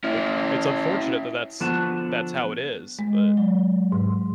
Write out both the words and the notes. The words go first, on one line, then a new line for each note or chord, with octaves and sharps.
it it's unfortunate that that's that's how it is, but
C#4 E4
D3 F3 B3 D4 F#4 A5
G#3
F#3
G#2